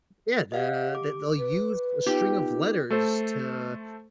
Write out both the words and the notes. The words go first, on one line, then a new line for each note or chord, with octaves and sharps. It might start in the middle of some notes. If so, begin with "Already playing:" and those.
Yeah, the the they'll use a string of letters to
G4 D#5 F5 F#5
D6
B4
B3 D#4 F4 G4
A3 A4 C5